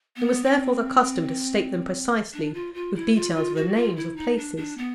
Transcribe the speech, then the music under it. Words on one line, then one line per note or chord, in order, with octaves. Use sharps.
It was, therefore, the custom to state them precisely, with details of the names of places.
B3
C4
D4
F4
F4
E4
F4
F4
F#4
F4
E4
D#4
D4
D4
B3